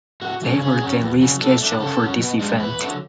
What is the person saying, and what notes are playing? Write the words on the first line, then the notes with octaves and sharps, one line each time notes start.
They were then rescheduled for this event.
A2 F#4
E3 A3 C#4
C#3 G#4
F#3 C#4
E2
C#3 F#3
B2 A4
A3 D4
C#3 A4
F#3 C#4
B2
G#3 D4
E2 B4
D3 F#3 A3